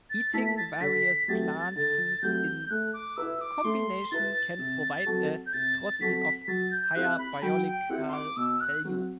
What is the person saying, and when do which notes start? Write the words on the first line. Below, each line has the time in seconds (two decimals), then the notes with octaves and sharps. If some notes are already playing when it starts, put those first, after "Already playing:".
Eating various plant foods in combination can provide a protein of higher biological value.
0.10 A6
0.33 A3 E4 A4 B6
0.46 B6
0.57 A6
0.80 D3 B6
1.28 F#3 A3 C4 G4 A6
1.76 D3 A6
2.22 F#3 A3 C4 G4 G6
2.70 A3 F#6
2.94 D6
3.17 E4 B4 E6
3.41 D6
3.64 A3 C6
4.11 E4 B4 A6
4.59 C3
5.06 F#3 C4 F#4 A4
5.46 G6
5.53 C3 A6
6.00 F#3 C4 F#4 A4 B6
6.48 F#3 A6
6.71 G6
6.95 C4 E4 G4 F#6
7.18 B5
7.42 F#3 G5
7.66 G5
7.89 C4 E4 G4 F#5
8.09 C6
8.13 D6
8.36 B2 E6
8.61 F#6
8.84 F#3 C4